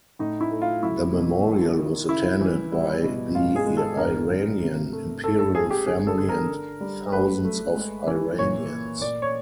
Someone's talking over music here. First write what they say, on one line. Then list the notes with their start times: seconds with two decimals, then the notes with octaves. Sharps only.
The memorial was attended by the Iranian imperial family and thousands of Iranians.
0.19 A2 D#4
0.41 E4
0.51 A3
0.62 F4
0.83 F#3 E4
1.14 B2
1.46 D#3
1.77 D#3
2.09 C#3 E4
2.41 E3
2.72 G3
3.03 B2
3.35 G#3 F4
3.56 G#4
3.66 G#3
3.77 A4
3.97 D3 A#4
4.29 D3
4.60 C3
4.93 A3
5.24 A3 A4
5.39 A4
5.55 A3 G#4
5.71 G4
5.86 D3 G#4
6.07 A4
6.18 D3
6.29 A#4
6.49 D3
6.81 G3
7.12 A3 B4
7.44 A3
7.76 G#3
8.07 E3
8.38 A#2 C#5
8.70 A#2
9.01 A#2 D5
9.22 C#5